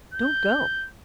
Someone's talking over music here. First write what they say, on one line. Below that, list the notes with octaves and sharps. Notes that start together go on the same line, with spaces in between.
Don't go.
G6